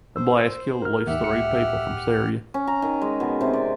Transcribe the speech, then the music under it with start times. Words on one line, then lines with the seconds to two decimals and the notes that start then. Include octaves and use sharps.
The blast killed at least three people from Syria.
0.16 C5 E6
0.82 A#4 F6
1.07 D#2 G#2 D#3 G4 E5 F#5 F6
1.20 C#2 A2 C#7
2.54 C#4
2.67 A#5
2.82 D#3
3.01 G#3
3.20 B2
3.41 C3
3.53 D5